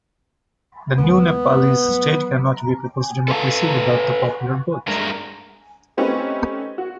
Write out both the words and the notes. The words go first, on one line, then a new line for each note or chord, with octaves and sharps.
The new Nepalese state cannot be a People's Democracy without the popular vote.
D#2 G#3 B3
E3 F#3
A4 B4 F5 A5
G2 G#3 A3 D4 A#4 A#5
A3 C4 C#4 D#4 G4 B4
F#4